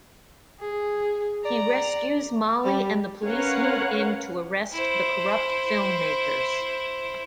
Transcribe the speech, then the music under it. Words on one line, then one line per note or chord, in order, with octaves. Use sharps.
He rescues Molly and the police move in to arrest the corrupt film makers.
G#4
D5 A#5
G3
C#4 A#4 B4 C#5 F5 F#5
E4 C5